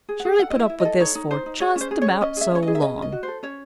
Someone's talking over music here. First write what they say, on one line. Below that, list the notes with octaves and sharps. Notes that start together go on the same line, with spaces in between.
Shirley put up with this for just about so long.
G#4
F#5
G#4
A4 F#5
D#5
E4 E5
E4
D#5
A4
D#4 C#5
D#4
D#4 C5
D#4
G#4 C#5
C#4 C5
G#4
C#5
C#4
C#4 D#5
G#4 E5
C#4 C#5
G#4 D#5
E5
C#4 D#5
C#4 D#5
F#4
C5
A4
C#4 C#5